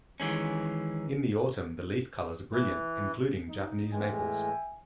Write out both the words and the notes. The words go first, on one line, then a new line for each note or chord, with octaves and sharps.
In the autumn, the leaf colours are brilliant, including Japanese maples.
D#3 E3 G#3 C#4
E3
D#4
A2 E3 G#3 E5 G5 G#5